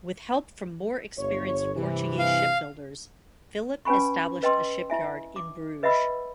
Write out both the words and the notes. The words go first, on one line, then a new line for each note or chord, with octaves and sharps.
With help from more experienced Portuguese shipbuilders, Philip established a shipyard in Bruges.
G1 C#5
G2 C3 E3
F5
C#4 B4 G#5 B5 C#6
B4 D#5 G5 A5 C6 E6
E4 E5 G#5
D6
B4 D#5 E5 F#5 B5 E6